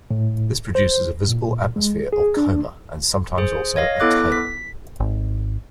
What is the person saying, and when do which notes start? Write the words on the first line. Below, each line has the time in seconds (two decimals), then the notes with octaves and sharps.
This produces a visible atmosphere or coma, and sometimes also a tail.
0.11 A2
0.75 C5
1.28 A#2
1.76 G#3
2.13 G#4
2.37 D4
3.38 G#4 C5
3.76 C#5 D#5 F5 A#6
4.00 B3 E4 A4 D6 F#6
4.32 B6
5.00 G#1